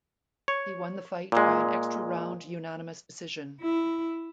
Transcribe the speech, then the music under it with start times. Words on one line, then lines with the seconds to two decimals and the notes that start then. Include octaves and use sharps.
He won the fight by an extra round unanimous decision.
0.48 C#5
1.32 A#2 G#3
3.61 E4